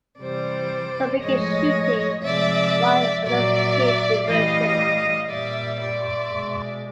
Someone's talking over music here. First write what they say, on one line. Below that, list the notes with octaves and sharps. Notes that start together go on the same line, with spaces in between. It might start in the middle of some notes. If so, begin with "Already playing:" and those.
Some begin shooting while others create a diversion.
C3 E3 G3 C5 D5
A2 F3 G#3 C#5 D#5
C3 F3 G#3 D5 E5
A#2 F#3 D5 E5
A2 E3 G3 D#5 F5
A#2 G3 D5 E5
D5 E5
B2 G#3